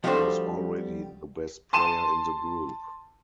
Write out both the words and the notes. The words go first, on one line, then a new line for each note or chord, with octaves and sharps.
He was already the best player in the group.
F3 G3 A3 D4 F#4 C5
A5 C6 D#7 E7